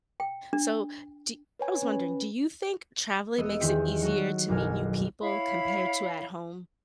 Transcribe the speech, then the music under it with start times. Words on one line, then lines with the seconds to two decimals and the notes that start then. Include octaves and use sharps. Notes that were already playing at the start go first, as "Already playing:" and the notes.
So, do I was wondering, do you think traveling makes it easier to meet new people compared to at home?
0.20 G5
0.53 D4
1.59 B4 C#5 G#5
1.83 C#4 B4
3.38 E1 B3 D#5 E6
3.60 E2 D#3 C4 G4 D#5
4.02 F#3 F#4 A4 C#5
4.49 F#1 B1 F#3 A4 G#5 F6
5.21 E4 C#5 F5 B5